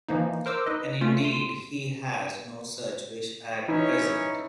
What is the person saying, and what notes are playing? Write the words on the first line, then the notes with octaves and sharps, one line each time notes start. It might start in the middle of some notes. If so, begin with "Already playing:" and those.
And indeed he has no such wish at present.
E3 F3 A#3 D#4
A#4 C5 D6 E6
D#4 B4 D#5
A3 C#4 F4
C6
E3 C#4 D#4 E4